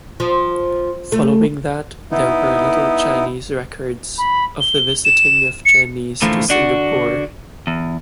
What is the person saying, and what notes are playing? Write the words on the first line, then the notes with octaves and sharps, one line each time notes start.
Following that, there were little Chinese records of the visiting of Chinese to Singapore.
F3
A3
B3 D#4 E4
B5
G7
E7
C#7
A2 D3 E3 F3 A3 A#3
D3 D4 F#4
E2